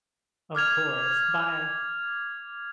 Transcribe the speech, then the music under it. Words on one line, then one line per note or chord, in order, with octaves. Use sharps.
Of course. Bye.
D6 F6 G#6 F7